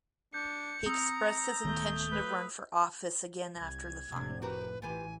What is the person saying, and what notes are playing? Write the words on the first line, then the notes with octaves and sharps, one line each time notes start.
He expressed his intention to run for office again after the fine.
D4 G6 C#7
C4 A#5 D#6 E6
D1 D#3 A3 B3 G6
B4
C2 G#6
F1 A2 C3 D4
F#4 G4 A#4 B4
A1 E3 F4 G4 B4 G#5